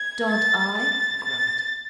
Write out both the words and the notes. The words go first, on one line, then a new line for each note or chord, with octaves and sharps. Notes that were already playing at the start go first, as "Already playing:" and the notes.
"Don't I?" he growled.
Already playing: G#6
A6
A6
A6